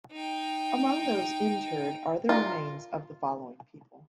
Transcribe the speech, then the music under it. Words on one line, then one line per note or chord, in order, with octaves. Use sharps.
Among those interred are the remains of the following people.
D#4 G5
F4 A#4